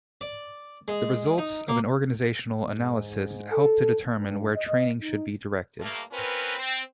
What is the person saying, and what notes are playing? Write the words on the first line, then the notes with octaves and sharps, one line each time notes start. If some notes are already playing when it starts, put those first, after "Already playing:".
The results of an organizational analysis help to determine where training should be directed.
D5
G#3
D#4
A#3
G#2
A4
G2
D#5
D#4
G2 A3 A#3
C4 C#4 F4 A#4 B4
C4